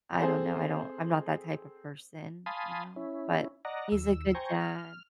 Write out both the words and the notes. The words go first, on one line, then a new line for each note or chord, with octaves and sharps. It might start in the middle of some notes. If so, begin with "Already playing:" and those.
I don't know. I don't I'm not that type of person, you know? But, he's a good dad
C4 G#4 A4 C5
F5 G#5 A5 B5 C6 D#6
C#4 E4
D5 D#5 F#5 A#5
D#2 E6
C5 G5 G#5 A#5 C#6
F6